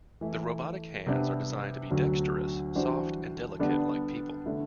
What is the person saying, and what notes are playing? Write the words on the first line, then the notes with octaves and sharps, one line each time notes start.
The robotic hands are designed to be dexterous, soft and delicate like people.
E3 A3 E4
C3 G3 B3 D4
D2 D3 F#3
E3 G3 D4 F#4 C5
D3 G3 B3 D4
D3 A3 E4